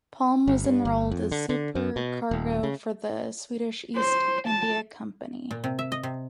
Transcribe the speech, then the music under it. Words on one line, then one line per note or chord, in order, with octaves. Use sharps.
Palm was enrolled as supercargo for the Swedish East India Company.
G1
G2
G1
F2
D3
D3
F#2
B2
D#1
C#3
C5
A5
A#2
C3
E5
D#5
C3